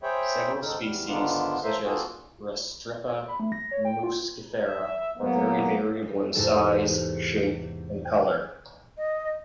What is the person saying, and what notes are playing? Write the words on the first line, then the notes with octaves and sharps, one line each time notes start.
Several species, such as "Restrepia muscifera", are very variable in size, shape and color.
G#4 C5 C#5 E5 G5 B5
G#2 D#3 C4 D#4 A4 F6
E2 G3 F6
G#2 D3 D#3 B3 D4 F4
A4 A#4 C5 E5 F5
A#3 C4 F4 F#4 G#4 A4
B5
A3
A#6
C#5
G5
F4
E5
F#3 A#3 B3
E2 G#2 C3 G#3 D#4 A4
D#5